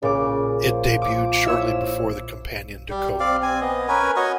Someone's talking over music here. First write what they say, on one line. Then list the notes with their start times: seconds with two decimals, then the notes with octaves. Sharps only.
It debuted shortly before the companion Dakota.
0.03 A#2 C#3 D6
0.64 F3
1.02 D6
1.46 E4 C#5 E6
2.90 G3
3.20 C4 D5 F5
3.43 C4 G#5
3.61 B3 D#5
3.88 C#4 A#4 B4 G#5
4.16 F#4 C#5 D#5 G#5